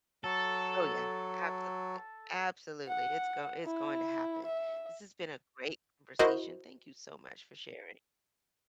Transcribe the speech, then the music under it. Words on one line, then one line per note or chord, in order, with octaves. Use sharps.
Oh, yeah. Absolutely. Absolutely. It's go it's going to happen. This has been a great conversation. Thank you so much for sharing.
F#3 A4
F#5
E4
E5
E4 F#4 A#4 C5 D#5